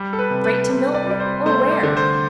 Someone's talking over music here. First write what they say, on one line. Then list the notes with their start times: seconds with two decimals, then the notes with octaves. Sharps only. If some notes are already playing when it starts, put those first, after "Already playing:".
Straight to Milton, or where?
Already playing: G3
0.13 A4
0.19 B4
0.30 C3
0.44 B4
0.70 C3
0.94 D5
1.07 G3 D5
1.20 C5
1.46 A3 C5
1.71 D5
1.83 D3
1.97 C5